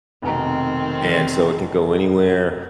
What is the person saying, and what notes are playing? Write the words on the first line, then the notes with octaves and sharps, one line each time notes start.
And so, it can go anywhere
F1 B2 D#3 C4 A#5